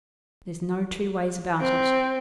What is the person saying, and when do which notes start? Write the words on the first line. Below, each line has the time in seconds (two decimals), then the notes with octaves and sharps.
There's no two ways about it.'
1.59 C4